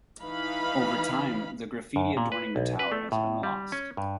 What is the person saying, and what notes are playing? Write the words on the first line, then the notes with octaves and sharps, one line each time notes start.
Over time the graffiti adorning the tower has been lost.
E3 D#4 F5 B5
F#2
A#2
B4
B1
B4
A3
A2
G3
C#4
G2